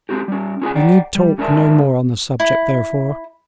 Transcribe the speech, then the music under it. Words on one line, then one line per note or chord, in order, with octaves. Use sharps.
We need talk no more on the subject, therefore.
G#3 C4 F#4 G4
G3 C#4
C#4 F4 G#4 A#4 F#5 G#5
D5 F#5 G5
G3
G#2 C#4 A#4 D5 E5 A5
E4